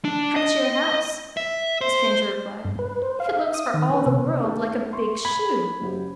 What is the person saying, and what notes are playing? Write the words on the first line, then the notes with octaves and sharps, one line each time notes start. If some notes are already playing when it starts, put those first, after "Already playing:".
"At your house," the stranger replied; "it looks for all the world like a big shoe!"
D4
D#5
E5
C5
G2
B4
C5
F5
E5
D#6
D#3
B4
C3
D#2 A3 G#4
E5 C6 C#6
B5 G#6
F#1 F#3 G4